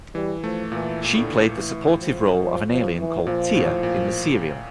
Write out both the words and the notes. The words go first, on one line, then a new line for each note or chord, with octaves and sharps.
She played the supportive role of an alien called "Tia" in the serial.
E3 G3
F3 A3
A#2 E3
A#2
A2 D3
E3
F3
F3
F3
E3
A#2 F3
A2
A#2